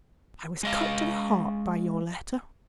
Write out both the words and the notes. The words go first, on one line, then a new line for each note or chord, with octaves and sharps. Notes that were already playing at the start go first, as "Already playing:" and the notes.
I was cut to the heart by your letter.
G#3 D#5 F5